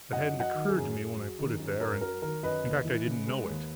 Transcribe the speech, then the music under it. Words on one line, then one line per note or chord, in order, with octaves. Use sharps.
That hadn't occurred to me when I put it there; and in fact I didn't know it.
F#2 D#5 F#5
F#3
D#5 F#5
D#3
G#4
F#2
F#2
F#3
D#3
F#2
F#2 A#4
F#3 A#4
D#3 A#4
F#2 B4 D#5
D#2
E3
C#3
G#3
D#2